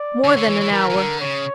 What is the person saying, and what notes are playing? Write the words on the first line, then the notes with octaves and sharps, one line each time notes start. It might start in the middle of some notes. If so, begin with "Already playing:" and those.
More than an hour.
Already playing: D5
D3 C#5
D3
E3
E3
E3 A#4
E3
D3
C#3 C#5